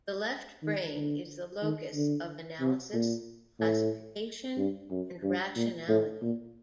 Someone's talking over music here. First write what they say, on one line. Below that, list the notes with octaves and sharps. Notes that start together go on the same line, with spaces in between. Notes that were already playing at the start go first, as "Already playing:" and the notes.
The left brain is the locus of analysis, classification, and rationality.
D#3
D3
D#3
D3
C3
A#2
A2
G2
F#2
G2
A#2
A2
A#2